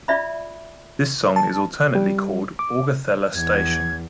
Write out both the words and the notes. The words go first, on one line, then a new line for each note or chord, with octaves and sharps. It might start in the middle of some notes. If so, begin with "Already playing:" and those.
This song is alternately called "Augathella Station".
F4 D5 E5 B5
A5
G3
D6
E2 G#6